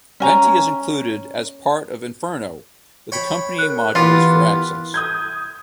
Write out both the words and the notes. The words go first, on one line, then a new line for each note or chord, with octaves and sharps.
Venti is included as part of Inferno with accompanying modules for access.
C#4 G#5 A#5
C#5 G5 B5
A#4 F#6
E3 B3 F4 G4
D#6 G6 G#6